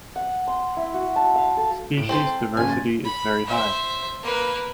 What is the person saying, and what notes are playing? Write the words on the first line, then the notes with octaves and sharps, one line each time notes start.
Species diversity is very high.
F#5
C6
E4
F#4
A5
F5
A4
A2 D7
C4 A4 C5 F#7
F#1 C#3 F4 G#5
A6
B5
C5 E5
A#3 B4